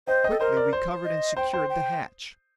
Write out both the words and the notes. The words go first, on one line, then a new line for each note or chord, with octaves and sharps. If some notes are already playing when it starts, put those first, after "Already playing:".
Quickly we covered and secured the hatch.
C5 D#5 G5
D#5 G5
A4
A#4 C5 D#5
D5
C5
D#5
C5 G5
C5
G5